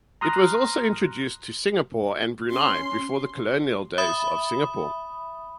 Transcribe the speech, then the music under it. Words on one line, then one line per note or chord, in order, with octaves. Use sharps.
It was also introduced to Singapore and Brunei before the colonial days of Singapore.
A#5 C6 D#6 F6 F#6 A#6
C#4 C6
E5 B5 D#6